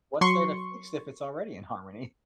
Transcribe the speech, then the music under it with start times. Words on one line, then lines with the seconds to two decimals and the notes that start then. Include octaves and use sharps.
What's there to fix, if it's already in harmony?
0.21 F#3 C6 C#6